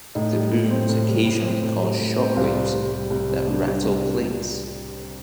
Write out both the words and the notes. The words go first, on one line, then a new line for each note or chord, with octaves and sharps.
The booms occasionally cause shock waves that rattle plates.
A2 D#4
G3
A2
C4
A2
G3
A2
C4
A2
G3
A2
C4
C2 F4
C3
C2
G3
C2
C3
C2 D4
G3 D4
C2
C3
C2